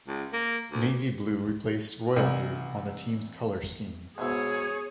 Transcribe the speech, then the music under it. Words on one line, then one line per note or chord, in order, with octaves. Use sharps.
Navy blue replaced royal blue on the team's color scheme.
C#2
A#3
D2
C2 E3 D#4 E4
G#2 B2 E4 G#4 C#5